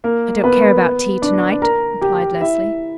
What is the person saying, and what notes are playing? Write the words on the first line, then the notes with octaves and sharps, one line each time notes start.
"I don't care about tea to-night," replied Leslie.
A#3 A#4
B3 B4
D4 D5
A#4 A#5
G4 G5
E4 E5